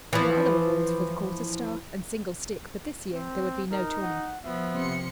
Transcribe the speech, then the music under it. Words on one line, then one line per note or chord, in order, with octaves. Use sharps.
There were other rewards for the quarter-staff and single-stick, but this year there would be no tourney.
E3 F3
C4
D#4 A#4
F#5
F3 B3 E5
C3 C6 C#7